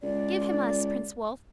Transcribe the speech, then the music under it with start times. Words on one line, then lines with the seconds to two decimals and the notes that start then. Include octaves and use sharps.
'Give him us, Prince Wulf!
0.03 C#2 D5